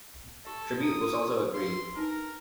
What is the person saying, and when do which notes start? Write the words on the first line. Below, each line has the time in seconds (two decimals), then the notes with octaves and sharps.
Tribute was also agreed.
0.45 G4 A4 E5
0.79 E5 A#5 D#6
1.14 C#6
1.55 G#4 B4 F5 C6
1.96 D4 D#4 A#4 B4